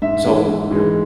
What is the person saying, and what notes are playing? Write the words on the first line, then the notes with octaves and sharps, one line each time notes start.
So the
G#2 E5
E3 G#3
G#2
E3 G#3